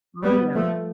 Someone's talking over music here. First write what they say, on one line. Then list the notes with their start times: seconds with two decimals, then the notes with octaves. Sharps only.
Oh, yeah.
0.23 G3 B3
0.55 F3 A3